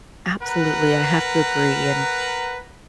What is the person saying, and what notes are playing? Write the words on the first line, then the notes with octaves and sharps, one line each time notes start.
Absolutely, I have to agree, and
A#4 B4 F#5 A#5